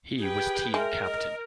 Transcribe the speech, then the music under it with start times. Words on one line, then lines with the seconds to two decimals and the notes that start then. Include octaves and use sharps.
He was team captain.
0.19 G4 G#4 B4 G5
0.74 G#3 A#4 E5
1.04 D#5